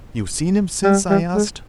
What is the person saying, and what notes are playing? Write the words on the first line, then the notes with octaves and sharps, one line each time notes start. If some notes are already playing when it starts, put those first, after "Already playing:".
"You've seen him since?" I asked.
G3
G3
G#3